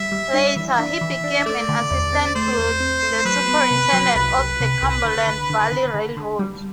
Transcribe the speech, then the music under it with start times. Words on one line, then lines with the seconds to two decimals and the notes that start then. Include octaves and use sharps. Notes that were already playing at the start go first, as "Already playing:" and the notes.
Later, he became an assistant to the superintendent of the Cumberland Valley Railroad.
Already playing: G3 E5
0.12 G3
0.34 D4
0.56 E3 E5
0.73 E5
0.79 D4
1.01 E3
1.24 D4
1.46 A3 D5
1.69 D3
1.91 E2
2.13 C4
2.35 A3 C5
2.58 E2
2.80 C4
3.03 A3
3.25 F#3 B4
3.48 B3
3.71 C3
3.93 F#3
4.15 C2 B4
4.38 C2
4.60 C3
4.82 C2
5.05 D3
5.27 D3
5.50 D3
5.72 D3
5.94 D3
6.17 D3
6.39 G3